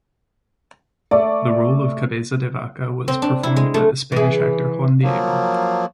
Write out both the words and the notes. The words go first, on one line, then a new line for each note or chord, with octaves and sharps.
The role of Cabeza de Vaca was performed by the Spanish actor Juan Diego.
A3 D5
C4
D4
E4
G#3
A3
E3 G#4
F3 F#3 A#3